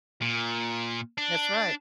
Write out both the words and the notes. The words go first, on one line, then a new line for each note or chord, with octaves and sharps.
That's right.
A#2
D4